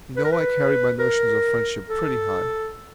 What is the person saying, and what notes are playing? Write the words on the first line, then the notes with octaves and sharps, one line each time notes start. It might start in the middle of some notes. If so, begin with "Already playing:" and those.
You know I carry my notions of friendship pretty high.
B4
A#4
B4
A#4
A4